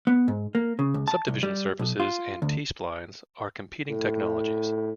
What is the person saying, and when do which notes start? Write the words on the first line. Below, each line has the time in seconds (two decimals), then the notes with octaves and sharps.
Subdivision surfaces and T-Splines are competing technologies.
0.07 B3
0.28 G#2
0.55 A#3
0.79 C#3
0.94 C#2
1.08 A5
1.28 C2
1.43 G3
1.79 B1
2.00 F4
2.42 D2
3.90 A2